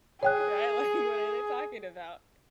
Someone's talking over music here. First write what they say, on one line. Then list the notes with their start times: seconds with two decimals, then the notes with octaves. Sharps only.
Right. Like, what are they talking about?
0.23 G#4 C#5 G5 F#6